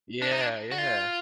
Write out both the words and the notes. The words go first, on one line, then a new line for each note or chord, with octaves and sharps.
Yeah, yeah,
D4
D#4
D4
F#4
F4